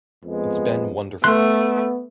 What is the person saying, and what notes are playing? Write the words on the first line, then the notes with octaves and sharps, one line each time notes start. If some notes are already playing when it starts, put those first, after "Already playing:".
It's been wonderful.
F2 G#3 B3
A3 B3 C6 F#6